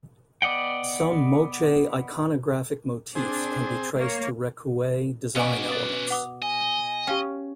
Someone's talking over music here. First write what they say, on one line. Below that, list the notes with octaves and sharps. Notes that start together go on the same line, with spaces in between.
Some Moche iconographic motifs can be traced to Recuay design elements.
B3 D5 D#5 F#5 G5
C4 D4 G#4
A#3 C#5
B2 C#4 B4 D5 F5 G#5
B4 D#6 A6
F#5 D6 D#6
D#5 G#5
C#4 G4 F5 G5